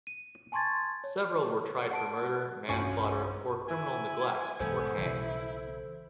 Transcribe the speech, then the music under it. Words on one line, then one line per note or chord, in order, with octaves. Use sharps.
Several were tried for murder, manslaughter, or criminal neglect and were hanged.
D#7
G#5 A5 C6 C#6 G#6 A6
C#5
F#5 A5 D7
B1 G2 F3 C#4 D4 F#4 G#5 C#6
E4 G#5
B1 G#2 E3 B3 A4 C5
B1 C#3 E3 E4